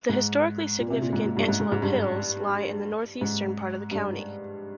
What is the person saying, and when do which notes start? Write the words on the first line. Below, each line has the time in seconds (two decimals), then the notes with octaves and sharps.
The historically-significant Antelope Hills lie in the northeastern part of the county.
0.09 G#2
0.79 A#2
0.90 C3
1.02 A#2
1.13 G#2
1.25 A#2
1.37 G2
1.49 G#2
1.60 G#2
1.72 G#2
1.82 G2
3.21 G#2
3.91 G2